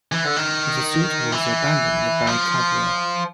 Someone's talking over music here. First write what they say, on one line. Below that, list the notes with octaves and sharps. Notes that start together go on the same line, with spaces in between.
The suit was abandoned by Caldwell.
E3
D3
D#3
E3
F3